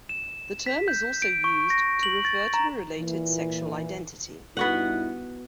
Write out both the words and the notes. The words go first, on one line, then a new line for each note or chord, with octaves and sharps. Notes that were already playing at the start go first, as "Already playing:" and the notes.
The term is also used to refer to a related sexual identity.
E7
B6
G6
D7
C#6
A#6
F#7
A6
A#5
A#2 E3
G2 B3 D#4 E4 F#4 F#5